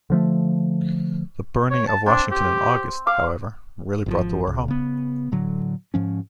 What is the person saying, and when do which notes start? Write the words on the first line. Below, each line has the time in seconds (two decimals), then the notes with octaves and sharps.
The burning of Washington, in August, however, really brought the war home.
0.10 D3 F3 A3
1.71 C#5
1.87 A5
2.06 C4 D4
2.31 G4
3.07 F5 D6
4.06 G#1 D#3 F3
4.47 C#2
4.68 C#3 B3
5.32 A2 D3 F#3
5.94 G#2 F3 C#4